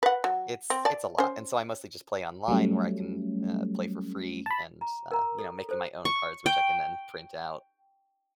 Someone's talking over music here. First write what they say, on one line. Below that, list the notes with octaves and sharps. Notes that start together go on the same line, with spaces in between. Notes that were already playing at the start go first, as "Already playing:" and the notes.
it's it's a lot and so I mostly just play online where I can, uh, play for free and, uh, you know, making my own cards, which I can then print out.
B4 F#5
F#3
C4
D5 A5
C#4 C5
F#3 G3 A3 C#4
A5 B5
A#5
A#4 A#5
A4
A4 C5
C#6
G5